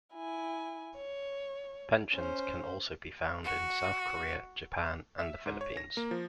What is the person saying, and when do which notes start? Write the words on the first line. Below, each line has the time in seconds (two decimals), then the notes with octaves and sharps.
Pensions can also be found in South Korea, Japan, and the Philippines.
0.14 E4 G#5
0.96 C#5
2.14 C#4 C5
3.44 F#4
5.19 E5
5.46 G#2
5.61 C#5
5.77 A#6
5.97 A#3
6.11 F3